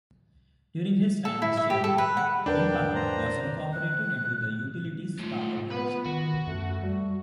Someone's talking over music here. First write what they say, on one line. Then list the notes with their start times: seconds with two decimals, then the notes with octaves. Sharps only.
During his time as chairman, wind power was incorporated into the utility's power production.
1.25 A4
1.42 E4
1.57 E5
1.70 G4
1.84 A4
1.98 B4
2.17 F#5
2.46 E2 D4 A#4 B4 G5
2.95 C5 A#5
3.73 F#6
5.19 G#2 A3 F4
5.71 B3 B4
6.06 D#3 F#4
6.47 F#2 A3
6.83 G3 F#4